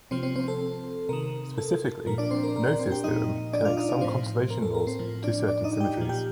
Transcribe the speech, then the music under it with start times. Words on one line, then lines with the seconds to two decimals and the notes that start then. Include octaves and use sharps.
Specifically, Noether's theorem connects some conservation laws to certain symmetries.
0.11 C3 F3 C4 C5
0.23 C4 C5
0.36 C4 C5
0.48 A4
1.09 C3 D#3 A#4
1.58 A4
2.06 A#2 F3 A#4
2.18 D4 D5
2.31 C4 C5
2.43 A#4
2.56 A#4
2.67 A#4
2.79 C4 C5
2.91 G4 G5
3.04 A#2 F3 D#4 D#5
3.53 D4 D5
3.65 F4 F5
3.77 D#4 D#5
3.89 D4 D5
4.01 A2 F3 C4 C5
4.50 A#4
4.62 A4
4.74 A#4
4.87 C4 C5
4.99 A2 F3
5.24 D4 D5
5.48 D4 D5
5.64 D#4 D#5
5.80 G4 G5
5.97 A#2 F3
6.09 G4 G5